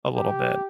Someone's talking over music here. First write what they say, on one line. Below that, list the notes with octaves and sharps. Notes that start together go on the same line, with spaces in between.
a little bit,
G4